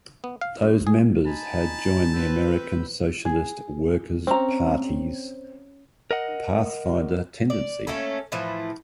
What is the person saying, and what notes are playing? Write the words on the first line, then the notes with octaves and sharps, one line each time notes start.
Those members had joined the American Socialist Workers Party's Pathfinder tendency.
B3
F5
F#2
G#4
D#4 G#5 A5 B5
C4 B4 B5 E6 G6
G#4
C4 C#4 A#5
A#4 D#5 F#5
D5
A3 A#3 C#4 A4
A2 E3 F3 A3